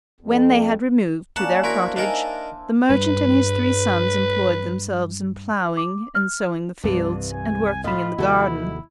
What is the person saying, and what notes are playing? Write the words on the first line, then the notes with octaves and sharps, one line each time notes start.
When they had removed to their cottage, the merchant and his three sons employed themselves in ploughing and sowing the fields, and working in the garden.
F2
A#3 C#4 D4 F#5 A5
E4 F#4 A#4 C5 F5 A5
D4 D#4 A#4 E5 F5 G#5
G2 B4
D6
F6
C2 G2 E3 D4
G#5
A2 F4 D#5 B5
D#2 C3 F3 E4 F#4 A4